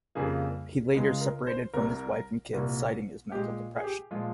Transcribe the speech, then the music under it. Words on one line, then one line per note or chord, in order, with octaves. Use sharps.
He later separated from his wife and kids citing his mental depression.
F2 C#3 G3 A#3 G#4
C#2 C#3 G#3
A#4
C5
C2 C3 G3 A#4
C2 A#2 G3 A#3
A#2 G#3 G4
G#4
G4
A#2 F3 G#3 F4